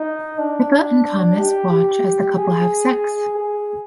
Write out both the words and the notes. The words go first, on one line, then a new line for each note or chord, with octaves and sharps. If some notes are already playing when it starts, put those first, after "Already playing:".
Pippa and Thomas watch as the couple have sex.
Already playing: D#4
D4
G4
G4
G#4
G#4